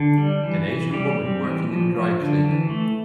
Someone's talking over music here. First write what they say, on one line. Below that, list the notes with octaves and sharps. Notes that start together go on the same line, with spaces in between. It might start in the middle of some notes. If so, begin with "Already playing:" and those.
An Asian woman working in a dry cleaner.
Already playing: D3
G3
E3
E3
E3 G3 G4
C4
E3
F3
F3
D3
E3
A3